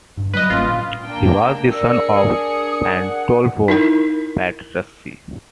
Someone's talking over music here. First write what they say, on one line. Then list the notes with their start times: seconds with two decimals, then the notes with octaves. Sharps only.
He was the son of Pandolfo Petrucci.
0.17 G2
0.34 F#3 G3 B4 D#5
0.50 G#1 A#3 C#4 F4
0.65 A#2
1.03 A#3 D4 G5
1.72 D4 G#4 A#4 D5 E6 C#7
2.14 D#6
2.91 F#5
3.68 D#4 E4 A#4